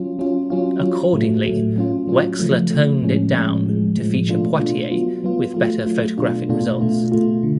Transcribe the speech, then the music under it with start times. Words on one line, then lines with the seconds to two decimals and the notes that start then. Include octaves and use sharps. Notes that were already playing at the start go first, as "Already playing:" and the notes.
Accordingly, Wexler toned it down to feature Poitier with better photographic results.
Already playing: F#3 C#4 F4
0.19 F#3 C#4 F4
0.50 F#3 C#4 F4
0.81 F#3 C#4 F4
1.13 A2 F#3 A3
1.44 A2 F#3 A3
1.76 F#3 C#4 F4
2.07 F#3 C#4 F4
2.39 C#3 F3 A3
2.71 C#3 F3 A3
3.02 A2 F3 G#3 C#4
3.34 A2 F3 G#3 C#4
3.65 A2 F3 G#3
3.97 A2 F3 G#3
4.28 B2 A3 D4 F4
4.59 B2 A3 D4 F4
4.91 F#3 B3 F4
5.24 F#3 B3 F4
5.54 F#3 A3 F4
5.86 F#3 A3 F4
6.18 B2 A3 D4 F4
6.49 B2 A3 D4 F4
6.80 B2 A3 F4
7.12 B2 A3 F4
7.43 D3